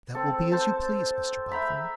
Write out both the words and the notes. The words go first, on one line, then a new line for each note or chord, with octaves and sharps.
'That will be as you please, Mr Boffin.
C4 A4
C5 A5
E5 G5 A#5 B5